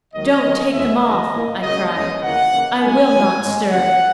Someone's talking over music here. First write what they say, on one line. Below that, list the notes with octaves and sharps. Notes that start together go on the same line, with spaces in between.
"Don't take them off," I cried; "I will not stir."
D#2 D#3 F#3 D#5
D#2 D#3 F#3
E2 B2 G#3 E5
D#2 C#3 E3 G#3 D#5
A#2 A#3 E4
C#2 C#3 F#3 C#4 D#5
E2 D#3 G#3 C#4 D#5
D#2 C#3 E3 A#3 E4 F#5
C#3 E3 A#3 D#4
F#2 D#3 A#3 G#5
F#2 D#3 G#3 C#4 E4
G#2 D#3 G#3
D#2 C#3 E3 A#3 C#4 F#5